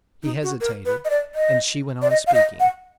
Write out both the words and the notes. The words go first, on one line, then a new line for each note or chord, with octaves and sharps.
He hesitated--and she went on speaking.
D#4
F#4
A#4
B4
D#5
D5
D#5
D5
D#5
F5
D#5
F#5